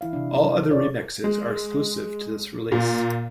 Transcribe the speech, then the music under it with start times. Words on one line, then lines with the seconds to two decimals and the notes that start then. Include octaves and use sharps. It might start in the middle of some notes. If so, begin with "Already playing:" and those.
All other remixes are exclusive to this release.
0.01 E3 E4 F5
0.13 C3 D4
0.71 F4 B4 C#5 D5
1.24 G#3
2.72 A#2